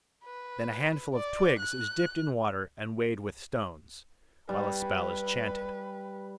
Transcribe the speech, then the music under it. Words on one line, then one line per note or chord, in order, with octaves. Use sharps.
Then a handful of twigs is dipped in water and weighted with stones, while a spell is chanted.
B4
D5
F#6
G3 B4